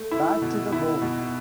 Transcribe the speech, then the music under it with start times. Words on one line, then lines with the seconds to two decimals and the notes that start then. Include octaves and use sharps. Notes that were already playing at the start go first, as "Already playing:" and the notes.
Bad to the bone.
Already playing: A3
0.11 E4
0.42 B2
0.72 E4
1.02 B2